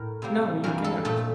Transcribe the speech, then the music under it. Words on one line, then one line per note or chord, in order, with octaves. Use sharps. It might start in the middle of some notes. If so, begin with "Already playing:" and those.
"No, you can't."
Already playing: A2 A#4
C3 G3 A#3
G2 E3 G3 A#3 A#4
A4
A#2 F3 A3 A4